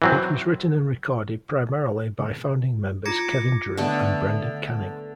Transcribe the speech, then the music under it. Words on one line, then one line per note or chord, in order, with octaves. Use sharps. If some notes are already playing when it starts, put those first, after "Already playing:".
It was written and recorded primarily by founding members Kevin Drew and Brendan Canning.
E3 F#3 C4
F4 A#5 D6 G#6 A#6 C#7
D3 A3 B3